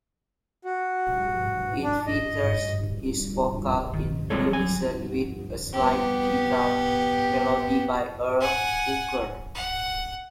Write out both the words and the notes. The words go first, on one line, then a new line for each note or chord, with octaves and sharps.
It features his vocal in unison with a slide-guitar melody by Earl Hooker.
F#4
D4
D#5
D#3
G3 G#3 C4 F4 A4 C#5
F#3 G#5
B3 G4
F#5 G#5
F#5